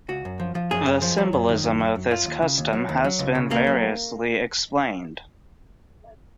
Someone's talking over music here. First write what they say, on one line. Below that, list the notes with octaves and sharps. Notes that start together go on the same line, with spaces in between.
The symbolism of this custom has been variously explained.
C#2 F#4
F#2
F3
F3
F#2 G#4
F#2
F3
F#3
F#2
D#3
F#2
F#3
F#2
F#3 F4
D#2
C#3
D#2
F#3
D#2
F#3
C#2
C#3
C#2 A#3
F#3